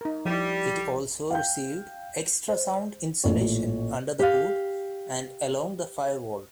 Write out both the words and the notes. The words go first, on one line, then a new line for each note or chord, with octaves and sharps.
It also received extra sound insulation under the hood and along the firewall.
D#4 A#4
F3 G3 E4
F5 G5 G6
C5
A1 A#2 A3 C#5
G4 F5